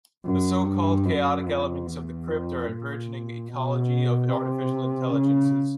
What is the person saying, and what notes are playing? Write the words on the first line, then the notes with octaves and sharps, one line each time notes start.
The so-called chaotic elements of the crypt are a burgeoning ecology of Artificial Intelligences.
F#2
G2
F#2
F2
E2
F2
A#2
B2
C3
C#3